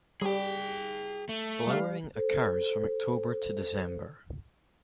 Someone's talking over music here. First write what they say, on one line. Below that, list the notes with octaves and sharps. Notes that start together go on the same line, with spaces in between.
Flowering occurs from October to December.
G3 G#4 G5
A3
G3 F5
A4 C5